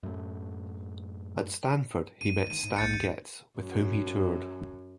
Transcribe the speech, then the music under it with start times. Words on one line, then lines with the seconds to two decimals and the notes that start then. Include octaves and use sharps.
At Stanford, he met Stan Getz, with whom he toured.
0.03 F#2 A2
2.21 G2 D#7
2.38 D2 G#3
2.50 D#3 E3 D#7
2.63 G#2
2.76 D#1 A#1 G6 A6 C#7
2.94 D#2 C3
3.59 F#2